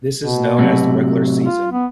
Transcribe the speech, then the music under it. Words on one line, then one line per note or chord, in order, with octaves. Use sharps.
This is known as the regular season.
B2
A2 C3 F#3
F4
B3